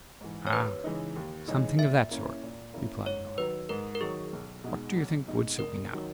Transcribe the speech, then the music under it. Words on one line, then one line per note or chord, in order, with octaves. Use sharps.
'Ah! something of that sort,' replied Noah. 'What do you think would suit me now?
G#2 E3
C#5
D#2 B4
C#3 E3 G#3 D#4
D#2
C#3 E3 G#3 D#4
A#2 E5
A#3 C#4 E4
A#2
A#3 C#4 E4
G#2 C#5
D#3 F#3 B4
G#2 A#4
A#4
D#3 F#3 G#4
B1
B2 G#3 D#4
B1
B2 G#3 D#4
E1 A#4
D#3 F#3